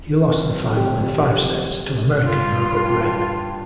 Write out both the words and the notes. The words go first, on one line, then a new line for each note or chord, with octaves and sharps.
He lost the final in five sets to American Robert Wrenn.
F2 D3 F#3
G4
G2 F4